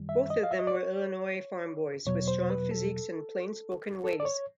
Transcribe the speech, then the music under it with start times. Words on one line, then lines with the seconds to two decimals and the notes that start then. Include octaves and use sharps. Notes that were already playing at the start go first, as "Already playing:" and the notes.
Both of them were Illinois farm boys, with strong physiques and plain-spoken ways.
Already playing: F#2 D#3 G3
0.09 E5
0.30 D#5
0.43 F5
0.51 E5
0.59 D#5
0.67 D5
0.75 C#5
2.06 E2 B2 F#3 C#5
2.28 C5
2.50 B4
2.71 A4
4.04 A4
4.20 D5
4.25 C#5